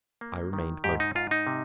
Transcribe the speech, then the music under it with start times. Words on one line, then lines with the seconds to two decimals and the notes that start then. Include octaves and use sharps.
I remained motionless.
0.21 A#3
0.53 D#3
0.84 G#2 G4
1.00 D#4
1.15 G#2 F4
1.31 D#4
1.47 C3